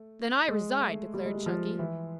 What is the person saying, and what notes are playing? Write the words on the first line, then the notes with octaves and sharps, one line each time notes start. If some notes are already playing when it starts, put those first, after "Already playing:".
"Then I resign," declared Chunky.
Already playing: A3
G#3
A3
G3
G#3
G3
F3
E3